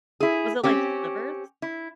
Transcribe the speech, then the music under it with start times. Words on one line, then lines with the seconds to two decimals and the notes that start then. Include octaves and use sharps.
Was it, like, slivers?
0.20 E4 G#4
0.63 C4 C#4 G4
1.62 E4